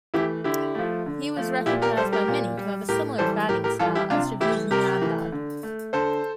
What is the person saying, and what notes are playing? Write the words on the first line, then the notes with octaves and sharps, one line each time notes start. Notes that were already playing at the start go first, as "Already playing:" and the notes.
He was recognized by many to have a similar batting style as Javed Miandad.
E3 A3 E4 G4
D3 E4 G4
F3 A3
D3
F3 A3
A#2 E4 G4
G4 A#4
G3 A4 C5
G4 A#4
A#2
G3
A2 G4 A#4
E3 G3 A4 C5
A2 G4 A#4
G4 A#4
E3 G3 F4 A4
E4 G4
C3 D4 F4
E3 A3 E4 G4
C3 G4 A#4
E3 A3
D3
A3
D3 A4 C5